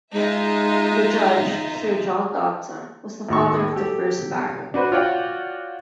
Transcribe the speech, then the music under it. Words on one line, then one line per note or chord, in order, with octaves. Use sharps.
The judge Sir John Dodson was the father of the first Baron.
G#3 D#4 F4 E5
D#2 A2 A4 C#6
G4 A4
D4 F#4 B4 C5
F4 F#4 C#5 D5 F#5 G5